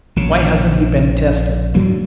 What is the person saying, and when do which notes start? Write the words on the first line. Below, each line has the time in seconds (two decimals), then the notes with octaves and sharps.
Why hasn't he been tested?
0.16 A#1 C#3
1.75 D2 G2 F#3 A#3